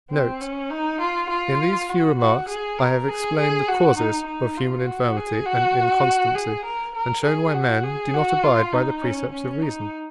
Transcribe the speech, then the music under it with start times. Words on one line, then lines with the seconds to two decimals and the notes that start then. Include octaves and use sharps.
Note.--In these few remarks I have explained the causes of human infirmity and inconstancy, and shown why men do not abide by the precepts of reason.
0.11 C4
0.41 C#4
0.70 D#4
1.00 F4
1.30 F4
1.89 F#4
2.19 F#4
2.48 G#4
2.78 A#4
3.08 G#4
3.37 G#4
3.68 F#4
3.97 D#4
4.26 D#4
4.57 F4
4.87 F#4
5.16 G#4
5.46 F#4
6.35 G#4
6.65 A#4
6.95 A#4
7.24 G#4
7.54 F#4
7.83 G#4
8.14 F#4
8.43 F4
8.73 D#4
9.03 C#4
9.32 C#4
9.62 D#4